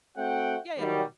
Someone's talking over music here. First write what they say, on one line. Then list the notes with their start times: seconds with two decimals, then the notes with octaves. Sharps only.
Yeah, yeah, yeah.
0.17 A3 C4 F#4 E5 F#5 G5
0.78 D#3 F#3 G3